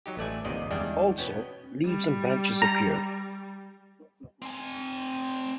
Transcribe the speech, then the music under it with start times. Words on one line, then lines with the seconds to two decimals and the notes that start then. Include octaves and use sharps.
Also, leaves and branches appear.
0.06 F#3 D#4 G4
0.17 A1 A3 D5 G#5
0.45 G1 D#2 C3 D#3 D5 D#5
0.71 E2 G3 G#3 D4 D5 G5
1.18 B2 B3 C#4 G5
1.85 G3
2.62 A#5
4.42 C4 G#5